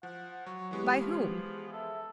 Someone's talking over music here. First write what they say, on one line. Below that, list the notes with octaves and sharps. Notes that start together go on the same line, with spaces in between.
"By whom?"
F3 F#5
F#3 C#5
E3 G#3 B3 G4
F3
G#4
A4 E5